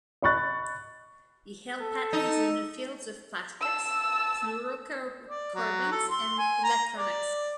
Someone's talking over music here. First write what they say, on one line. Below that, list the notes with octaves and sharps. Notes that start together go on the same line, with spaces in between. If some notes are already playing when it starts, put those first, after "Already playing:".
He held patents in the fields of plastics, fluorocarbons, and electronics.
D#5 B5 C#6 F#6 A6
A4
D#4
A5 E6
D5
F#3
A4
C6
G#5
A#5
D5